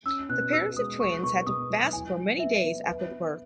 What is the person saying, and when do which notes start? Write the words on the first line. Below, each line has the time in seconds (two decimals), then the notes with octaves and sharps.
The parents of twins had to fast for many days after the birth.
0.06 C#4 E6
0.29 B2 F#6
0.53 F#4 E6
0.76 G#3 D#6
1.00 A#3 C#6
1.23 B2 C#6
1.46 B2 D#6
1.70 F#3
1.93 E4 G#5
2.17 F#3
2.40 B4 E5
2.64 B3
2.87 B4
3.11 B3